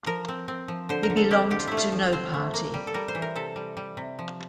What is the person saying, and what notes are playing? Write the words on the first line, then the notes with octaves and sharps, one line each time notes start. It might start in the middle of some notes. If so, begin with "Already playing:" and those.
He belonged to no party.
F3 A#4
C4
C4
F3
D3 C5
A#4
D3
A4
C4 G4
D3 G4
F4
A3 E4
F4
F3
C4 C5
A3
A#3
G3
A4
G3 A#4
C5
E3
A#4
C3 A4
G3
G3
C3
F3